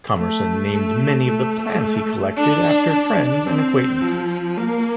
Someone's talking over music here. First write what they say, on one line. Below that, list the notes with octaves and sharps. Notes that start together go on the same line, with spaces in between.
Commerson named many of the plants he collected after friends and acquaintances.
A3
A3
A3
D4
D4
C4
F3
A#3